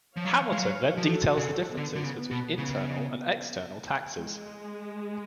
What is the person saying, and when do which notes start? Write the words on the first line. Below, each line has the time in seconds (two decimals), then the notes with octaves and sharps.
Hamilton then details the differences between internal and external taxes.
0.17 F3 C#5 F5
0.25 F#3
0.32 F3
0.52 G#3
0.57 F#3
0.98 F3 F#4 A4
1.37 C#3
1.77 D3 B3
1.95 D3
2.04 C#3
2.31 B2
2.58 C#3
4.17 G#3